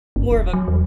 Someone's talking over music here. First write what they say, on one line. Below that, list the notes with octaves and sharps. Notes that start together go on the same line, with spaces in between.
more of a
G1
D#1
F#3
E2